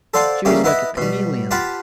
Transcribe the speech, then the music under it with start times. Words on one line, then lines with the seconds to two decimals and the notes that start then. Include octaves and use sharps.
She was like a chameleon.
0.14 A4 C5 D5 F5 F#5 A5
0.45 C#3 G3 A3 A#3 G4 G#4
0.64 B3 E4 B4 D#5
0.97 B2 G3
1.51 F4 G4 B4 F#5 A5